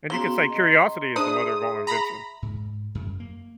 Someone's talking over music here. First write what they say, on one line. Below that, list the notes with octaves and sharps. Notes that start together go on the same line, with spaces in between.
And you can say curiosity is the mother of all invention.
C#3 A#3 B3 F#4 A#5 C6 G7
D#5
D4 G#4 C5 E5 D#6
A#5 B5
G#2
F#2
A#3